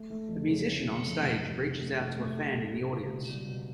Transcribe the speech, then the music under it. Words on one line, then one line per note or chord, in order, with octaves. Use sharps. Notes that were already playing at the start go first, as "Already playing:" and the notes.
A musician on stage reaches out to a fan in the audience.
Already playing: A3
A3
F2
C#3
A3
A3
F2
F2
C3
C3
A3
C3
A3
A3
A3
C3
C#2
B2
G3
B2